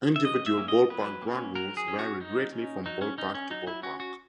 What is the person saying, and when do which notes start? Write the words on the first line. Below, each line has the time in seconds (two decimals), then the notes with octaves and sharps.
Individual ballpark ground rules vary greatly from ballpark to ballpark.
0.16 E5
0.25 F#3 D#5
0.46 E5
0.57 A#3 C#4
0.68 D#5
0.90 F#3 B4
1.22 A#3 C#4
1.55 F#3 A#4
1.77 G#4
1.88 C#4
1.99 F#4
2.20 F#3 D#4
2.53 C#4
2.86 F#3 D#4
3.01 C#4
3.18 C#4 D#4
3.35 C#4
3.51 F#3 D#4
3.67 E4
3.83 C#4 F#4
4.00 F#4